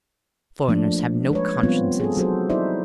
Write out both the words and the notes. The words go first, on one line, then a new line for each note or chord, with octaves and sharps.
Foreigners have no consciences.
F3 A3 A#3 D4
G#3 B4 C#5
F3 G3 B3 C4 F4
G#4 A4
F#3 D#4 F#4 G#4 A4 C5
D#4 E4 C5 D5 E5